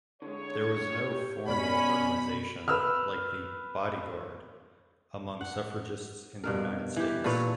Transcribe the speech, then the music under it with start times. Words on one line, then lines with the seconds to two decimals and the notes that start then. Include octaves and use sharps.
There was no formal organization like the Bodyguard among suffragists in the United States.
0.22 D3 G#3 C#5
1.10 G4
1.48 B2 C#4 D5 B5
2.68 B4 E6 F6
5.41 F#5
6.44 G2 B2 A#4
6.96 E3 G4
7.24 A#2 A4 B4 C#5